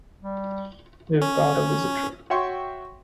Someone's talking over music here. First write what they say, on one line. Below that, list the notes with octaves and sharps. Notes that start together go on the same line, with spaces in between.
We've got a visitor!
G3
C#4
F#4 C#5 E5 G5 C6 C#6